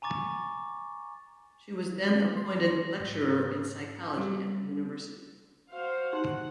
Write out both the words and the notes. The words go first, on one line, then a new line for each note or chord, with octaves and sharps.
She was then appointed lecturer in psychology at the University.
G#5 A#5 C#6 D6 A6
C6
G#2
G3
F#4 C5 F5
D#4 G4 F#5 C6